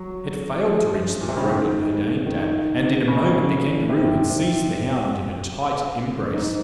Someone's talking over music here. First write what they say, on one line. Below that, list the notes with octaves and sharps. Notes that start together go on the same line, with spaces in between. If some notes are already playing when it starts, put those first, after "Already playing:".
It failed to reach the throat it had aimed at, and in a moment the Kangaroo had seized the hound in a tight embrace.
Already playing: F#3
F3
A#2
C3
C#3
D#3
D#3
C#3
C3
C3
G#2